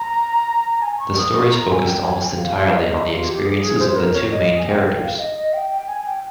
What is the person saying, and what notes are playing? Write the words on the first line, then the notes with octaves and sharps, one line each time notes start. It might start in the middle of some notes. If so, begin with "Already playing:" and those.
The stories focused almost entirely on the experiences of the two main characters.
Already playing: A#5
G#5
C#6
D#6
C#6
A#5
G#5
G5
G#5
G5
F5
F5
D#5
D#5
F4
G4
G#4
G#4
C5
A#4
C#5
D#5
G#5
G5
F5
F5
D#5
D#5
G5
G5
G#5
G5